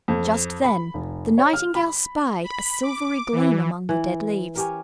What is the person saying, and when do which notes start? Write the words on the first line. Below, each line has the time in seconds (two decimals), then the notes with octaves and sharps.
Just then the Nightingale spied a silvery gleam among the dead leaves.
0.08 F2
0.64 B5
0.94 F1
1.38 C#5
1.53 F6
1.75 B5
2.44 B5
2.83 D6
3.32 E3
3.89 E3
4.55 C#4 G4 A#4